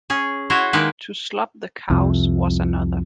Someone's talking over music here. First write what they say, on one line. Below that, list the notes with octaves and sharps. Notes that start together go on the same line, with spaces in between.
To slop the cows was another.
C#4 G#4
E4 F#4 C5 C#5
D#3 G#3 A#3 D#4 B4
C2 F2 C3 F3